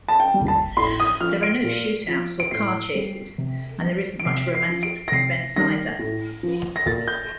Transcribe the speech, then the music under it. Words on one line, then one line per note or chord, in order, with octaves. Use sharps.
There are no shoot-outs or car chases, and there isn't much romantic suspense, either.
A5
G5
G3
A5
A2 C6
D#6
F3 F6
D7
A#2
F3
D7
A2 C7
G3
C3
G3
D7
C3 C7
C7
F3
D7
A#6
C3 C7
D#3 G3 A#6
A2
F3
A#6
A#2 A6
G6